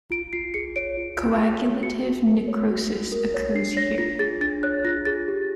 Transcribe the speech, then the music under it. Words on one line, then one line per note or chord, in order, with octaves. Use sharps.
Coagulative necrosis occurs here.
F4 D7
F4 C7
G#4 C#7
C#5 D7
F4
F4
G#4
C#5
F#4 C#7
F#4
A#4
C#5
F#4
F#4
A#4
C#5
D4 C7
C#5 A#6
F4 A#6
G#4 A6
D4 A6
C#5 F#6
F4 A#6
G#4 A6
G4